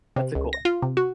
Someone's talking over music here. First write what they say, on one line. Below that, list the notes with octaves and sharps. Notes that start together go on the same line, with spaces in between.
That's a cool one.
C3
C#2
A#6
F4
C3
F#4